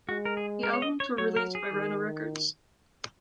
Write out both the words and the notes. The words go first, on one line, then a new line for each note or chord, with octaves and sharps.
The albums were released by Rhino Records.
G#3 F#4
A#4
G#4
A#4
C#5
D#5
C#5
F#3 C#5
A#4
G#4
D#3